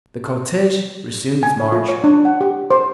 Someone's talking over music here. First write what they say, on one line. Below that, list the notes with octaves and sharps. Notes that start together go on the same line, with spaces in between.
The cortege resumed its march.
G#5
C#5
F4
C#5
D4
F#5
G4
C5